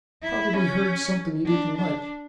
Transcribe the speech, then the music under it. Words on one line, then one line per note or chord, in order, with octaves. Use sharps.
Probably heard something he didn't like.'
E4
C#4
D4
D4